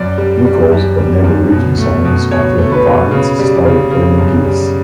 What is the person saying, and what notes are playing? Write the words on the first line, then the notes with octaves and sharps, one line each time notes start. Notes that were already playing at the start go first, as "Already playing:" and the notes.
Nicholls had never written songs until The Vines started playing gigs.
Already playing: F#2 D5
G3
G3
F#2
G3
F#2
B2
A3
B2
B2 C#5
A3
B4
B2
C#3
G3
C#3
C#3
F#2
G3